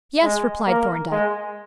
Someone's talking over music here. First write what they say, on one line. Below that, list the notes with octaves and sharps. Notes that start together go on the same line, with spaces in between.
"Yes," replied Thorndyke.
G#3
A#3
G#3